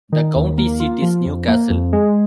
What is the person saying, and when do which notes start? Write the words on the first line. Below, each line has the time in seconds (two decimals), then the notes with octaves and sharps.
The county seat is New Castle.
0.12 D#3
0.35 D#2
0.58 A#3
0.80 F4
1.02 F3
1.25 F2
1.48 A#3
1.70 F2
1.93 G#3